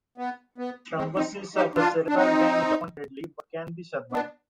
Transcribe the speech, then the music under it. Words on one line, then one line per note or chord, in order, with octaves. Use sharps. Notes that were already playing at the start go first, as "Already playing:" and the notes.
Thrombosis of the cerebral vein is often deadly but can be survived.
B3
B3
G#3 C4
C4 D#4
D#4 G4
D4 F4
D4
C4 D#4
B3 D4